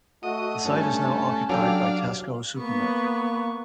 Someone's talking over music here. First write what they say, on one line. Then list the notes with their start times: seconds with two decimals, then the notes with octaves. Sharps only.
The site is now occupied by Tesco supermarket.
0.23 A3 F#4 D#5
0.65 G2 A3 C#4
1.49 F#3 D4 G4 A4 F5 G5
2.58 A#3 B3 C#6